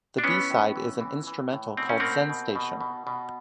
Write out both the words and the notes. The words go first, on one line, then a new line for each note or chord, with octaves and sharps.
The B-side is an instrumental called "Zenstation".
D4
E3 B3 C#4
A2
E3
E3
E3
A2
B2 C4
C#4
B2 A#3 C4
B2
B2
B2
B2